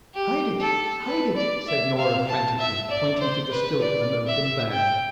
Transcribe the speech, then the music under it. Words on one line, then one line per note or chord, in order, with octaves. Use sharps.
"Hide it, hide it!" said Norah frantically, pointing to the still unopened bag.
G4
A4
B4
D5
E5
F5
A5
E5
D5
C5
B4
D5
E5
G5